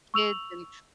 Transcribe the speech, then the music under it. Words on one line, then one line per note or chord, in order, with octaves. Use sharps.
kids and
C#6 E6 F7 F#7